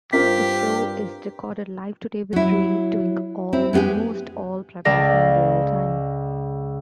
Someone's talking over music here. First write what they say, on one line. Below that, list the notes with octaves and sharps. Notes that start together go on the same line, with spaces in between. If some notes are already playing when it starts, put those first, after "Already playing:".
The show is recorded live-to-tape, with Ray doing almost all preparation in real time.
G2 C4 F4 G4 A#4 B6
F#3 E4
C4 E4
G#3 B3 F4 G4 G#4
C#2 G#3 A4 D5 F5 A#6